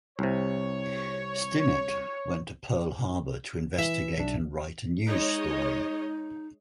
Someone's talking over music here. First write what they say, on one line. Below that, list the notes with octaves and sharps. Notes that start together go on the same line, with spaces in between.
Stinnett went to Pearl Harbor to investigate and write a news story.
C2 C3 C#5
E3 E5
B1 D4
G#3 D#4 C#5 D#5